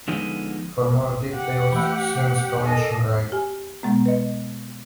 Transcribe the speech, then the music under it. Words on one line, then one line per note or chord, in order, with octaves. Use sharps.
For more details, see the Installation Guide.
D3 F3 G#3 B3 D#4
G4 F#5
E3 A3
A4 A#4 D#5 G#5
G4 G#5
B2 G#3 B3
B4 D#5